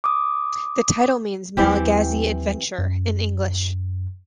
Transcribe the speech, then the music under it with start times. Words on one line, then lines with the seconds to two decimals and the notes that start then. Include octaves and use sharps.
The title means "Malagasy Adventure" in English.
0.04 D6 D#6
1.57 D#2 E3 F#3 C4 G4
2.79 F#2